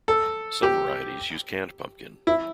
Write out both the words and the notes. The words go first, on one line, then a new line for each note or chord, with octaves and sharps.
Some varieties use canned pumpkin.
A4
G4
E4